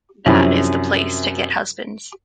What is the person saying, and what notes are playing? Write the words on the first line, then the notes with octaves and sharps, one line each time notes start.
That is the place to get husbands.
F#2 C3 F3 C#4 D4 E4